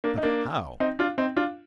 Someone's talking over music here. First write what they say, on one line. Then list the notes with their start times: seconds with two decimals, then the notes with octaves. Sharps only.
But how!
0.04 A#3 D4
0.18 D#4
0.23 A#3 D4
0.80 C4 D#4
0.99 D4 F4
1.18 C4 D#4
1.36 D4 F4